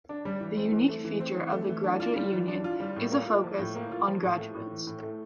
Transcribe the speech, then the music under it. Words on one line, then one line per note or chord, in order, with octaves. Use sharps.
The unique feature of the Graduate Union is a focus on graduates.
D4
G3
E3
C4
E3
A3
E3
C4
E3
A3
E3
D4
F4
G3
E3
D4
F4
G3
A2
A#3
F4
F3
A2
A#3
F4
F3
A2
A3
A2
E3
A2
A3